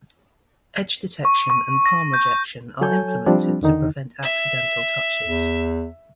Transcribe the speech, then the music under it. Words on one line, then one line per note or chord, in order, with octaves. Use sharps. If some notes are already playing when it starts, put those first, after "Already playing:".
Edge detection and palm rejection are implemented to prevent accidental touches.
C#6
C#6
A#6
G6
F#3 A4 C#5 G#5 G6
F3 G3 C4 D4
E2 D3 D#3 D#4
E5
E2